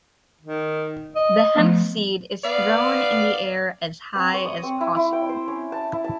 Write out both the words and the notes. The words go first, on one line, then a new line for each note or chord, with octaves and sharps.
The hempseed is thrown in the air as high as possible.
D#3
D#5
F3 A3 B3
B3 D5 F5
C4
C#5
D#6
C4
E4
E4
G5
C5
C#4
A5
E4
A5